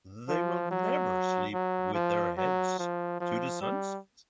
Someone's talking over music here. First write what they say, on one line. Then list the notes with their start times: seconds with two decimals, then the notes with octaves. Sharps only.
They will never sleep with their heads to the sunset.
0.29 F3
0.71 F#3
1.54 F#3
1.95 F3
2.37 F#3
2.79 F3
3.20 F3
3.61 G3